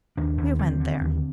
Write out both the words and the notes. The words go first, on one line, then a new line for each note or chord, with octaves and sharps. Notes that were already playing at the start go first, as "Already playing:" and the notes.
We went there.
D#2 D4
D#2
D3 C4
D3
D#2